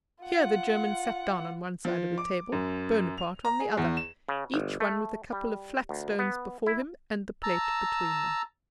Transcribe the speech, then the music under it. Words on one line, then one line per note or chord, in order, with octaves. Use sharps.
Here the German sat down on one side of the table, Bonaparte on the other; each one with a couple of flat stones before him, and the plate between them.
F4 F#5
F3
D6
F#2
F7
A#5
G#4
E2
E7
C#3
G1
A3
G3
D2
B3
E4
A5 A#5 E6